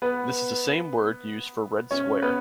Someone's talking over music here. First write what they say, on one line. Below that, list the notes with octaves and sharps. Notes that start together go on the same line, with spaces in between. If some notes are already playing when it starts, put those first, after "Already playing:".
This is the same word used for "Red Square".
B3 B4
C#4 C#5
B3 B4